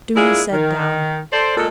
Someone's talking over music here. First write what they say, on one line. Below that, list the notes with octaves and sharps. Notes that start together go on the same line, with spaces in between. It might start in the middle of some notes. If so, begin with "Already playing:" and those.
Dounia sat down.
G#3 A#3 D4 E4 F4 G#4
D#3
A4 C5 D5
A#2 G#3 A4